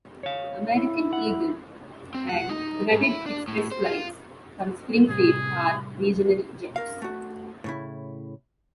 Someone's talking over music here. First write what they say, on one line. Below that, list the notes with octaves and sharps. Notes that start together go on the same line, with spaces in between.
American Eagle and United Express flights from Springfield are regional jets.
C#5 F5
E4
F#5
C4
F#5
D#4
G#2
E4
D4
A2
C5
F4
A2 C3 G3 G#4
A#4 F5
A3 F#4
A2 C#3 E4